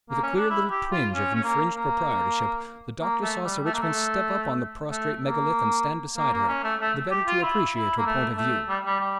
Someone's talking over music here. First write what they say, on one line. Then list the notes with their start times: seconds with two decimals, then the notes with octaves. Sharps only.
With a queer little twinge of infringed proprietorship, the doctor saw Sir Richmond step up on the prostrate megalith and stand beside her, the better to appreciate her point of view.
0.10 A#3
0.23 C#4
0.37 D4
0.50 E4
0.70 G4
0.92 F4
1.13 C#4
1.35 C#4
1.44 A#3
1.75 A#3
3.01 A#3
3.23 A3
3.44 G3
3.65 A3
3.74 A#3
3.82 A3
4.91 A3
5.23 A#3
6.17 A#3
6.33 A#3
6.48 C#4
6.64 A3
6.80 A3
7.11 G4
7.27 F4
7.43 E4
7.75 E4
7.98 A#3
8.06 A3
8.37 A3
8.69 G3
8.86 G3
9.00 G3